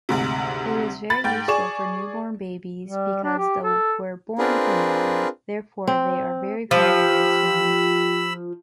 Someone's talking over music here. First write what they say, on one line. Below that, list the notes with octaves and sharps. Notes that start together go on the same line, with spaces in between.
It is very useful for newborn babies because the were born from water, therefore they are very familiar with swimming.
D2 G#2 C3
B5 A6
G#2 G5
G#4 D5 C#6 E7
G3
D4
G4
A4
C4 D4 F4 G#4 A#4 B4
C4
F3 G4 B5 E6